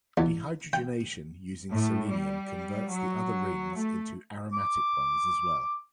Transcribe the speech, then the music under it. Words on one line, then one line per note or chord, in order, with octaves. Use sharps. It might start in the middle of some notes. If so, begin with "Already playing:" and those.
Dehydrogenation using selenium converts the other rings into aromatic ones as well.
E2
G5
A2
G3
F#3
A3
D6